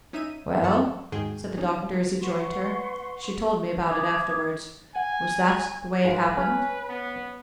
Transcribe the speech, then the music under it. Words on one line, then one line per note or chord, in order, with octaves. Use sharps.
"Well," said the Doctor, as he joined her--she told me about it afterwards--"was that the way it happened?"
C#4 D#4 E5 E6 D#7
F#2 E3 F#5 A5 E6
D#2 G#2 D#3 F#4 G#4 G5
F3 C#4 D#4
G3
B4 F#5 C6 C#6
E5 D6 D#6 G#6
F#5 G#5
G#2 B4 F5
C#4
B3